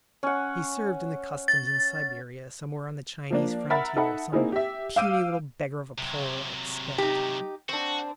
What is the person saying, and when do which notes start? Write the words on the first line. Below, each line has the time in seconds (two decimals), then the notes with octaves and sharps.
He served in the customs in Siberia, somewhere on the Chinese frontier, some puny little beggar of a Pole, I expect.
0.23 C#4 F#5
1.48 A6
3.30 F3 A#3 D4
3.70 A#4 E5 F#5 B5 A6
3.96 D#4 A4 E5 F#5 B5
4.32 A#3 C4 D#4 E4 G#4
4.52 G4 E5
4.96 F5 D6 E6 G6 D7 D#7
5.98 C3 F#3
6.98 D#4 G4
7.69 C4 D4 F#4